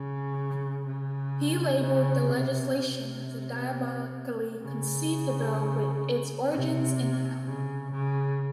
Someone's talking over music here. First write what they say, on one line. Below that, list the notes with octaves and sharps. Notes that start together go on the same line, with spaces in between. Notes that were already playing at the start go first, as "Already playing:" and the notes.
He labelled the legislation as a diabolically conceived bill with its origins in hell.
Already playing: C#3
C#3
C#3
C3
C3
C#3
C3
C#3
C#3